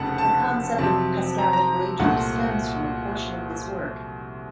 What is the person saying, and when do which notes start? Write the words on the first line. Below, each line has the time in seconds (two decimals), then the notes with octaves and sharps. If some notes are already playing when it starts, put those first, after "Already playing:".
The concept of "Pascal's Wager" stems from a portion of this work.
Already playing: F1 F2 C#3 A3 C4 F#5 A5
0.18 A5
0.78 F2 C3 F#3 C4 A5
1.38 A#5
1.53 A#5
1.99 C2 A#2 A3 C4 F#5